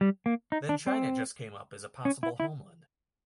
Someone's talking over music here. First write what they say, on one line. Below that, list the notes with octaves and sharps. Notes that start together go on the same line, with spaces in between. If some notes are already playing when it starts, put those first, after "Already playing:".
Then China just came up as a possible homeland.
G3
A#3
D#4
D4
C4
C#4
E4
E4